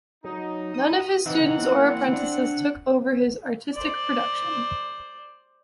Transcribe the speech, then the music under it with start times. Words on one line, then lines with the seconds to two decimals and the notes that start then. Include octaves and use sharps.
None of his students or apprentices took over his artistic production.
0.24 F#3 D#4
0.74 D#6
1.26 E3 C4 D#4 F#5
1.72 A#3
2.13 D4
3.74 C5 D5